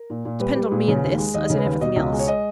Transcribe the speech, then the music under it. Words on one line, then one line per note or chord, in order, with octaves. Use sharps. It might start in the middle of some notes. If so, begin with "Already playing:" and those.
Depend on me in this, as in everything else.
Already playing: A#4
A#2
A#2
G3 B4
G3
A#2
C#3
D#2
G#3
D#2 D#5
C#3
B4
D#2
B2 D#5
C#2
G#3
C#5
D#5